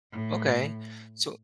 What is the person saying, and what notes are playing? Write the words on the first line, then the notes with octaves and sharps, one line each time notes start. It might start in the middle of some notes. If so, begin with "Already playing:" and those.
Okay. So
A2